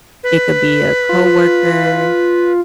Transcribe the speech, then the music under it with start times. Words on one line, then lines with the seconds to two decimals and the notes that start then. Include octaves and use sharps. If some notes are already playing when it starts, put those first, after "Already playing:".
It could be a coworker,
0.23 B4
1.09 F4